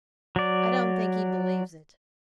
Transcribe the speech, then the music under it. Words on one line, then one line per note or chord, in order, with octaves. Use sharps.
I don't think he believes it.'
F#3 D5